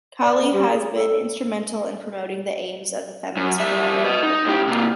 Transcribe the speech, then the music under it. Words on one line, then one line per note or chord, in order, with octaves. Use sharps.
Kali has been instrumental in promoting the aims of the feminist pornography movement.
D5
B3
G3
G#4
A4
F#2
G3 E5
B4 D#5
D#4
A2 G4
C3 A#3